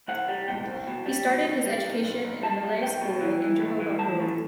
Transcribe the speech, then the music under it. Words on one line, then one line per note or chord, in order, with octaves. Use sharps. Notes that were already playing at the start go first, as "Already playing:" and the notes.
He started his education in a Malay school in Johor Bahru.
C2 F#5
G3
B2 G5
C2
B2
G3
B2
C2
G3
B1
B1
B1
G3 A5
G3
B1 G5
B2
E3
E3
A2
E3
E3 A5
A2